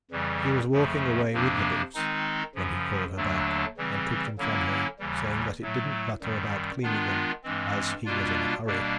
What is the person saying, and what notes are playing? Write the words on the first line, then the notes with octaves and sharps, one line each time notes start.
She was walking away with the boots, when he called her back and took them from her, saying that it didn't matter about cleaning them, as he was in a hurry.
F2 C#3 E3 G3
F2 C#3 F3 A3
F2 C3 F3 A#3 D4
D#3 G#3 C4 D#4
F#2 C#3 F3
D#2 D3 F#3 A3 D4
C#3 E3 G3 C4
D3 F#3 A#3 C#4 E4
D#2 C#3 E3 G3
A2 F#3 A3
F#2 D#3 G3
D#3 G#3 B3 D4 F4
G2 E3 G#3 C4
B2 G3 A#3 D4 F4
B2 G3 A#3 D4